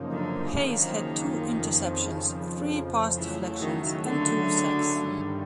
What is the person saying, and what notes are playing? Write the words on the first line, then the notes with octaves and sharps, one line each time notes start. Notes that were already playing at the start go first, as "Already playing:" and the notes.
Hayes had two interceptions, three pass deflections, and two sacks.
Already playing: F#2 C#3 F3 A#3 D#4
D3
D#3
F2 C#3 F3
C#3 E3 F#3 A3
D#3
D3
G2 D#3 G3